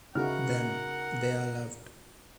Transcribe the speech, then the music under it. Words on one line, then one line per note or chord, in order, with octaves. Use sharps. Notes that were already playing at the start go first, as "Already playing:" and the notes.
Them, they are loved.
C#3 D#4 E4 F#4 A#4 F#5 F6